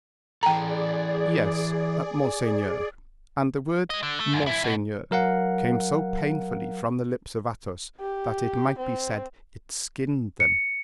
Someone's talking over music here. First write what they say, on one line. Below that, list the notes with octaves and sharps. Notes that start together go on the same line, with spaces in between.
"Yes, monseigneur." And the word "monseigneur" came so painfully from the lips of Athos that it might be said it skinned them.
E3 G#4 A4 D5 G5 A#5
G#3 D#5
D3
A3
C#2 F#2
F#2 E4
B2
F#3 A#4 F5 F#5
G4
C4
C#7